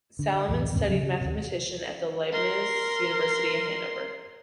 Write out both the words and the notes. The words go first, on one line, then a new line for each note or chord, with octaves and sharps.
Salamon studied mathematician at the Leibniz University Hannover.
D3
B1 E2 A2
D#2 G#2 C#3 C4
E1 C#3 F#3
C#3
D#2 C3
A#4 C6